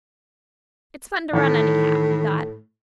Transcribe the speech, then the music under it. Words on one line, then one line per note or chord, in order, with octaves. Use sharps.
"It's fun to run, anyhow," he thought.
A2 D#3 E3